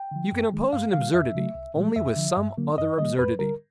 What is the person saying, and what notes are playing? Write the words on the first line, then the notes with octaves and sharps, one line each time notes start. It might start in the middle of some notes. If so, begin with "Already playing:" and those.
You can oppose an absurdity only with some other absurdity.
Already playing: G5
D3 F3
F#2
D#3 G#3
G2 F5
D3 G3 F5
F2 E5
C#3 F#3 A3
C2
A#2 F3 G#3
F2 E5
D3 F3
G2
D3 F#3 A#3
F#2 D#5
D#3 G3 A#3 D#5
F2 B4
D3 G3 A#4